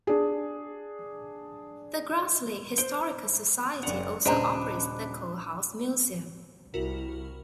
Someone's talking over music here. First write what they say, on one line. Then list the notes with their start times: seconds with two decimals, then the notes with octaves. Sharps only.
The Grass Lake Historical Society also operates the Coe House Museum.
0.07 D4 G#4
2.78 C5 D7 G7
3.83 F#1 D5 F#5 F7
4.25 D#1 A#2 C#3 D4 B4 C5 D#5 A#5
6.74 C2 E4 F#4 A#4